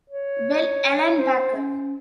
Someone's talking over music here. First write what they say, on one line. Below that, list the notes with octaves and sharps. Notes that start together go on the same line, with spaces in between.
Bell, Ellen Baker.
C#5
C5
C#4